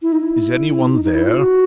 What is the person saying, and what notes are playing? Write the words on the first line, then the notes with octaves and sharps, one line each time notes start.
"Is any one there?"
E4
D#4
E4
D#4
D#4
E4
F4
F#4